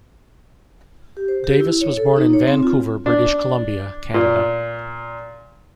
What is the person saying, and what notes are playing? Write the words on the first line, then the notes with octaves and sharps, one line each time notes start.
Davis was born in Vancouver, British Columbia, Canada.
G4
C5
G4
E4
C#5
A4
D#4
C#5
C4
F4
D4
A#2